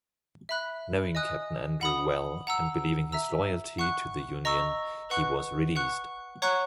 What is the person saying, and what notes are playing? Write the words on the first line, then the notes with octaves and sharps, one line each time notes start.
Knowing Captain Andrew well and believing his loyalty to the Union he was released.
E5 B5 F#6
D#5 G#5 D#6 F#6
F#5 B5 D#6
F#5 A#5 E6
E5 A#5 E6
F#5 C#6 F#6
D#5 A#5 C#6 E6
B4 F#5 C#6 F#6
F#5 C#6 F#6
C#5 F#5 A#5 C#6 F#6